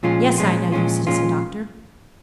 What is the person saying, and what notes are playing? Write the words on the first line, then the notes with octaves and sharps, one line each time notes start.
"Yes, I know you, Citizen Doctor."
A#2 F3 G#3 C#4 F4
A#2 F3 G#3 C#4 F4
A#2 F3 G#3 C#4 F4
A#2 F3 G#3 C#4 F4